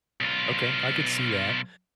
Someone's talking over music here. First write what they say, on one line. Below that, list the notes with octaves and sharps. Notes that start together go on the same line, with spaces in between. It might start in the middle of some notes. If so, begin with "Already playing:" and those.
Okay, I could see that.
B1 F4